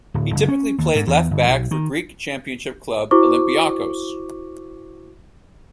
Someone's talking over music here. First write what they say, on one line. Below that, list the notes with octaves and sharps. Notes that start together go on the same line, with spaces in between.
He typically played left-back for Greek Championship club Olympiacos.
D1
F#1
C#4
D#2
G#2
E2
G1
B1
D#3
E4 F#4 C5 C#6 D6